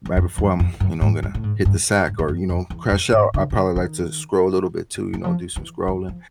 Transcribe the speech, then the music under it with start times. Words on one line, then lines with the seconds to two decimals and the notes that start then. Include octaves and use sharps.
right before I'm you know, I'm gonna hit the sack or, you know, crash out, I probably like to scroll a little bit too, you know, do some scrolling.
0.05 E2
0.17 F2
0.38 E2
0.60 F2
0.80 F#2
1.01 G#2
1.23 G2
1.34 A2
1.44 G#2
1.65 G2
2.07 G2
2.19 F2
2.28 F#2
2.50 F2
2.70 E2
2.91 F2
3.12 G#2
3.34 D3
3.50 D#3
3.55 D3
3.76 D#3
5.14 E3
5.24 F3
5.56 E3
5.88 E3
6.09 F3